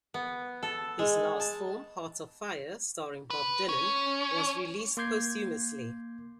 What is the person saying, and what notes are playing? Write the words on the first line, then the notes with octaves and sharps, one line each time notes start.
His last film, "Hearts of Fire", starring Bob Dylan, was released posthumously.
B3
A4
G#3
A5
B4
C#4
A#3 C6 D6 G6 G#6 C7